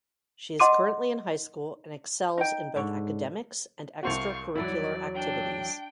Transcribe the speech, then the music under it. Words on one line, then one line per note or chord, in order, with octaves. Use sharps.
She is currently in high school and excels in both academics and extracurricular activities.
D#5 F#5 C6 D6 D#7
D#4 G5
G#2 D3 C#5
C2 C4 F#4 F5 C#6
E2 E3 F#3 E4 D5
D4 G5